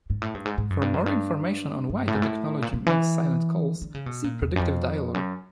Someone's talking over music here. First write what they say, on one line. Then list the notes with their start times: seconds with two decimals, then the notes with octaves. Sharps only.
For more information on why the technology makes silent calls, see predictive dialer.
0.10 G#2
0.22 A2
0.34 G2
0.45 G#2
0.58 G#2
0.70 F#2
0.82 G2
0.94 F#2
1.06 G2
1.89 G2
2.08 A2
2.15 G#2
2.22 A2
2.62 A#2
2.73 C3
2.86 E3
3.81 D3
3.94 C#3
4.06 B2
4.24 A#2
4.41 E2
4.56 F#2
4.60 F2
5.14 F#2